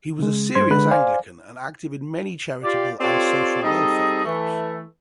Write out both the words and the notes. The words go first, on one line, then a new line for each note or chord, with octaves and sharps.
He was a serious Anglican and active in many charitable and social welfare groups.
C#3 G#3
G2 C5 C6 G#6
D3 G#3 B4 B5 F#6
C5 D5 F5 G#5
F4 G4 D5
C4 F4 G4 A4 C#5 D5
G3 C4 D#4 G#4 A4 D#5
E3 A3